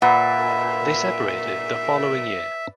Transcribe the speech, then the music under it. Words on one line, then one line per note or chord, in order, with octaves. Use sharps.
They separated the following year.
A#2 B4 E5 F#5